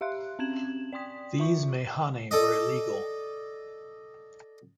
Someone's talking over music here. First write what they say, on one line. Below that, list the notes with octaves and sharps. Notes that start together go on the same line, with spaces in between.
These meyhane were illegal.
G4 E5 F5 C6 F#6
C4 C#4 G#6 E7 F#7
D5 G5 C6 D#6 B6
F4 E5 C#6
A4 D5 D#5